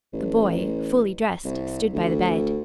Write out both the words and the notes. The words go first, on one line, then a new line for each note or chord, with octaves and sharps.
The boy, fully dressed, stood by the bed.
A1
C2
D2